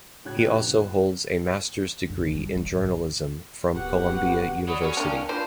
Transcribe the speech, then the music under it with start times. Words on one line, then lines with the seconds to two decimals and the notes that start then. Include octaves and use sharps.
He also holds a Master's Degree in journalism from Columbia University.
0.25 A2 C#3 F#4 C#5 F#6 G#6
0.36 A#2 C#3 F3 G4 F#6
0.62 G1
2.10 F#2
2.22 E2
2.35 G3
2.56 F#3
2.73 G#1
3.73 D1 B3 F#4 G4 F#5
4.68 F#3 D5 B5 D#6
4.82 C#4 F#4 A4
4.97 A#3 D4 A#4 G5
5.29 E3 D4 F4 C5 B5